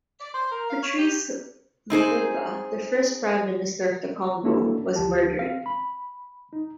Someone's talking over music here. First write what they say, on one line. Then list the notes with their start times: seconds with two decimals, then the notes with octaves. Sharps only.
Patrice Lumumba, the first Prime Minister of the Congo, was murdered.
0.21 D5
0.34 C5
0.51 A#4
0.70 F5
0.83 C#5
0.98 G4
1.90 C4 D#4 G#4 C5
4.44 A#3 C#4 D4 E4 F#4 A4
4.96 D2 F3 G4 A5
5.39 C4 F5
5.66 B5
6.53 D#4